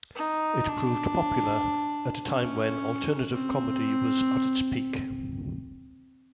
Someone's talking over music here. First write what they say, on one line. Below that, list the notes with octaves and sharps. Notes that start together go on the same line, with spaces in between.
It proved popular at a time when alternative comedy was at its peak.
D#4
D4
C#4
C4